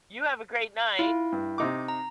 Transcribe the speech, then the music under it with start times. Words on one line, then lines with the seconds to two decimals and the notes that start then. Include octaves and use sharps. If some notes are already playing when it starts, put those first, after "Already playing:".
you have a great night.
0.99 E4 F4
1.32 G2
1.58 C3 D#4 D6
1.88 A#5